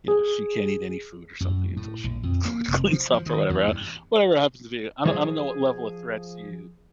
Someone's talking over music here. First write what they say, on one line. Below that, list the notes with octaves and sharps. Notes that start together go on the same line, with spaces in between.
you know, she can't eat any food or something until she cl cleans up or whatever, uh, whatever happens to be I don't I don't know what level of threats you
G#4
F#2
A2
A#1
F2
A#3
F1
F3
F3
D#3
E2
G2
F3 G#4